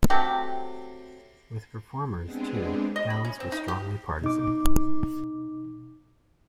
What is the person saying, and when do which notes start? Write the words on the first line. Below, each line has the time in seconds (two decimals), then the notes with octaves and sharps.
With performers, too, Downes was strongly partisan.
0.10 C3 F#3 A3 G4
2.24 G#3 B3 C4 D4 G4 G#4
2.96 D#5
3.10 B5
3.25 C#4
3.40 C4
3.52 D#4
3.68 G4
4.22 B2 D#4 D6